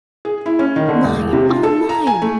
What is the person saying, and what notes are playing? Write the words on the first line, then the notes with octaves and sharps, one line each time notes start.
"Mine, all mine!"
G#4
E4
C#4
D#3
D3
E1
C3
F4
A4
A#5
G#5
A3